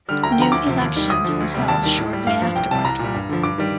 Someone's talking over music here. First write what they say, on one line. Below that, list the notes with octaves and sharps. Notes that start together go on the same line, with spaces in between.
New elections were held shortly afterward.
D3 G3 F6
D2 A#5
G5
D3 F3 A#5
D2 D6
C3 F3
D#2
D#3 G3
D2 D#6
D3 F3
D2
C3 G3
D#2 A5
D#3 G3
A2
G3
G2 F5
F3
C2 G5
C3 G3 A5
C2 A#5
A#2 G3
G2
D3 F3
G2 D6
D#3 G3